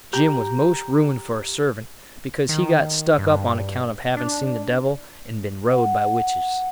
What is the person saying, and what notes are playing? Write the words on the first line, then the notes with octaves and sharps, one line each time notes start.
Jim was most ruined for a servant, because he got stuck up on account of having seen the devil and been rode by witches.
G4 A#5 G6
D#3
G2
D4
F#5